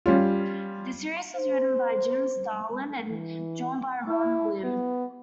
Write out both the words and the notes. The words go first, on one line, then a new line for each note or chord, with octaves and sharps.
The series was written by Jim Starlin, and drawn by Ron Lim.
G3 C#4 F4
C5
E3
E4
B3